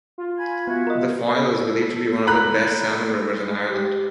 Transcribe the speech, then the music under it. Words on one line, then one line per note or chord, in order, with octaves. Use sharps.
The Foyle is believed to be one of the best salmon rivers in Ireland.
F4
G#5 B5 G#6
B3 F#4 E5
A#4 D#5
A4
A#5 B5 F#6
G#3
G4